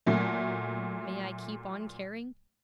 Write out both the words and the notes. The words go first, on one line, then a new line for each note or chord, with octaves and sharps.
May I keep on caring?'
A#2 F#3 A3